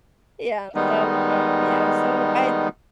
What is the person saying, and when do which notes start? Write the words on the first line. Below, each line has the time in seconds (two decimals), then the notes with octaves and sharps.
Yeah, so, um, yeah, so, I'd
0.75 D#3 G3 G#3 B3 D#4